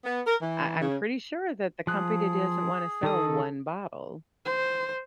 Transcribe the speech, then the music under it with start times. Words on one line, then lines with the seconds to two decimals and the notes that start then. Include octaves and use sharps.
I I'm pretty sure that the company doesn't wanna sell one bottle.
0.05 B3
0.26 A#4
0.40 E3
0.81 C#3
1.87 F3 G#4 F#6
3.03 D#3 A4 D#6
4.45 C5